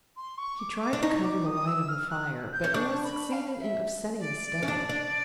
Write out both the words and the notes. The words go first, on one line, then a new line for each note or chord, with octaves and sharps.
He tried to cover the light of the fire, but only succeeded in upsetting the stove.
C6
C#6
D6
D6
D4
D#4 C#6
D6
D#6
E6
F6
F#6
G6
C#4
D4 C#6
B5
F5
E5
D5
C#4
D4
D4